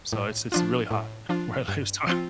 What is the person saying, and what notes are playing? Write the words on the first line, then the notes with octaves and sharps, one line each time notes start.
so, it's it's really hot where I live, so
A2
F3 D4 F4
A2
F3 D4 F4
G2
F3 C4 F4